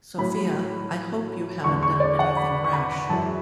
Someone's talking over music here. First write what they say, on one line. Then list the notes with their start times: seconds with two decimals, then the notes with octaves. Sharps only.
Sophia, I hope you haven't done anything rash?
0.18 A2 F#3 B5
1.64 E2 D3 G#3 C#6
1.83 C#6
2.00 D5
2.19 F#5
2.37 B5
2.64 C#6
2.73 B5
3.09 F#2 E3 G#3 A5